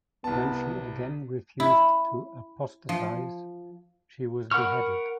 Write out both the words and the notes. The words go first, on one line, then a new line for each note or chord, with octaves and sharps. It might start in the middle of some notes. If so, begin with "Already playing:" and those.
When she again refused to apostatize, she was beheaded.
C2 B3 A5
E4
F3
A#4 F#5 B5 C#6 F6